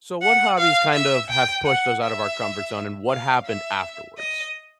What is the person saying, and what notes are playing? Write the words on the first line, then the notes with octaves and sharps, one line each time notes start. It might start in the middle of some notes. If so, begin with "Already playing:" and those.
So, what hobbies kind of have pushed us out of our comfort zone, and what happened afterwards?
F#5
F5
E5
G5
F#5
E5
F5
E5
D#5